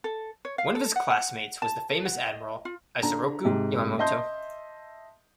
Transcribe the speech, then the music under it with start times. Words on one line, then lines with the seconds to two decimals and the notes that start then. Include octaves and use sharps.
One of his classmates was the famous admiral Isoroku Yamamoto.
0.04 A4
0.45 C#5
0.58 F5
0.75 A4
0.96 F#5
1.10 F#5
1.62 A5
1.91 A4
2.05 F#5
2.26 D#5
2.65 F4
3.03 D3 A#5
3.44 G#2 C3 G4
3.99 D#5 E5 A5 C6 G6